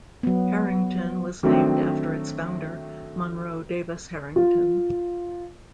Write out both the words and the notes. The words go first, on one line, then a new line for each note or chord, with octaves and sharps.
Herington was named after its founder, Monroe Davis Herington.
F#3 B3
D#3 F#3 A3 C4 D4
F4